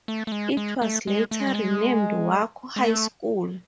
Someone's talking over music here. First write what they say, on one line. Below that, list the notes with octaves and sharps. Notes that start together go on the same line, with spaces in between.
It was later renamed Waco High School.
A3
A3
G#3
G#3
A3
G#3
A3
G#3
G3
G#3
G#3
A3